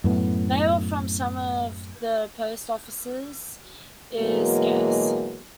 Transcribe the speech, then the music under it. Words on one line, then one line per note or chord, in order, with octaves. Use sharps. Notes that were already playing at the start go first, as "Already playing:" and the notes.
Mail from some of the post offices is scarce.
F#2 A2 B3
B2 E3 F#3 G#3 A#3